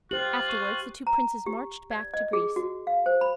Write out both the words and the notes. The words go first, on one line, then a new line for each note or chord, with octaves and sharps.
Afterwards the two princes marched back to Greece.
F4 G4 C5 F#6 F#7
C#6
A#5
G4
D5
D#5
G#4
F#4
F5
C5
B5